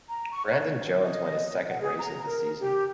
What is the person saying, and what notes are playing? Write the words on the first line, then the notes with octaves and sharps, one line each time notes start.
Brandon Jones won his second race of the season.
A#5
C#6
C#5
D#5
F#5
G#4
A#5
A#4
G4